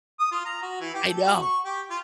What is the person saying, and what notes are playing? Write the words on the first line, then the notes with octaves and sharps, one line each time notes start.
I know.
D#6
F4
A#5
F#4
E3
G4
A4
F#4
C#6
G4
F4